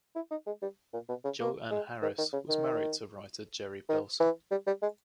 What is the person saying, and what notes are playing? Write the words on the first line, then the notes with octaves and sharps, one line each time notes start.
Jo Ann Harris was married to writer Jerry Belson.
E4
D#4
G#3
G3
A#2
B2
C#3
A#3
G#3
D#3
D#3
C#3
D#3
D#3
E3
G3
G3
G#3